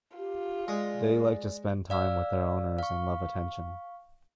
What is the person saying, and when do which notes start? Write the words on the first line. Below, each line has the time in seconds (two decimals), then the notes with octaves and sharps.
They like to spend time with their owners and love attention.
0.18 F4 G4
0.68 G#3 D5
1.90 D5 F5 E6
2.79 F5 C#6